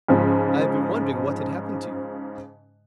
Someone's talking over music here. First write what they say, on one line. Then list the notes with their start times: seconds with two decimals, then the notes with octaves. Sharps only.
I have been wondering what had happened to you.
0.08 G#2 C#3 F3